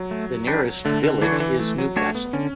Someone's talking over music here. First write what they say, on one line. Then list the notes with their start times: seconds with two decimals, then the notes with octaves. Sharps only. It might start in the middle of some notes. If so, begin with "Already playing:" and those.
The nearest village is Newcastle.
Already playing: F#3
0.11 A3
0.47 D4 G4 B4
0.85 D3 A3
1.03 D3
1.21 E3 D4 F#4 C#5
1.32 D3
1.40 E3
1.59 E3 A3
1.78 F#3
1.96 A3 D4 F#4 C#5
2.15 B3
2.33 D3 C#4